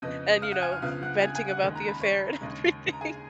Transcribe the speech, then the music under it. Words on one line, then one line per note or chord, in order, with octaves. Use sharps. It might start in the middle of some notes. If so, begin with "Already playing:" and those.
and, you know, v venting about the affair and everything.
F2 C#3 F3 B3 D#5 D#6
F5 F6
F#5 F#6
G#5 G#6
F5 F6
C#2 C#3 F3 B3 F5 F6
F#5 F#6
G#5 G#6
G#5 G#6
F#5 F#6
D#2 D#3 G#3
A#5
B5
C#5 C#6
D#2 C#3 G#3
A#5
G#4 G#5